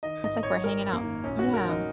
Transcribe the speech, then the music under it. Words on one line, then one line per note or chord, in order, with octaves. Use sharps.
It's like we're hanging out, yeah.
D#3 D#5
G#1 D#5
G#1 C#5
G#1 A#4
F#2
A#3
D#3
A#1 C#4
F#4
G#2
A#4
D#3
D#4